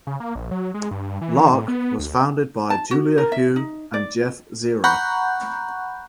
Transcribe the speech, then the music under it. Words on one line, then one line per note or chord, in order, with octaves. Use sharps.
Lark was founded by Julia Hu and Jeff Zira.
C#3
A#3
A#1
F#3
G#3
G2
E3
E3
A2
B3
D2
A5
F#4
A#4
E5
D#4
D5
F#5 A#5 B5 C#6 F#6 G6